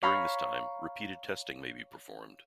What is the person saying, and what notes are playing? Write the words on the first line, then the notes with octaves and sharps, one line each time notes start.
During this time, repeated testing may be performed.
C#5 F5 A#5 B5 C#6